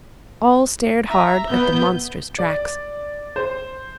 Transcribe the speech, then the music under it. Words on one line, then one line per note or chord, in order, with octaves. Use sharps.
All stared hard at the monstrous tracks.
E5 A#5
B3 G6
D5
C5